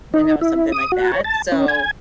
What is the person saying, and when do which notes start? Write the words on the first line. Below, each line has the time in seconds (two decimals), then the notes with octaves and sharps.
you know, something like that, so,
0.14 D#4
0.41 E4
0.72 D#6
0.92 F#4
1.12 C#5
1.24 A5
1.52 C#4
1.68 G#5